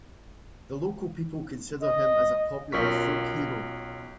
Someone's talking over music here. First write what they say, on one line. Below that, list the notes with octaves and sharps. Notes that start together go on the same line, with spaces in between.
The local people consider him as a popular folk hero.
D#5
B1 C#4 F4 A#4 C#6 B6